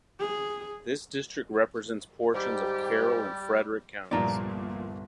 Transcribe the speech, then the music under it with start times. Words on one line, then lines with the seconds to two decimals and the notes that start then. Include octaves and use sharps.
This district represents portions of Carroll and Frederick Counties.
0.20 G#4
2.34 G#2 G3 G4
4.11 G1 C2 A#2 F3 A#3 D5 A#5